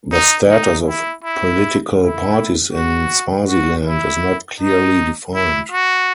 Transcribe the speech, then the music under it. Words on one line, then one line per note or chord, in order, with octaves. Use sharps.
The status of political parties in Swaziland is not clearly defined.
D#4
D#4
E4
E4
E4
F#4
F#4
E4
D#4
E4
F#4